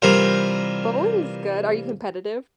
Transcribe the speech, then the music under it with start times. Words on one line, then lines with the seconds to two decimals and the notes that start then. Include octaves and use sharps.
bowling's good. Are you competitive?
0.02 C3 E3 G3 F4 A#4